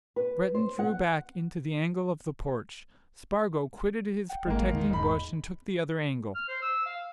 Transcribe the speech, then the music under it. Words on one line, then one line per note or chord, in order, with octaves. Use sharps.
Breton drew back into the angle of the porch; Spargo quitted his protecting bush and took the other angle.
B4
C5
F#5
F#5 G5
G#1 G#3 A#3
E2 D#3
E1 G#2 B5
F6
C5
E6
F5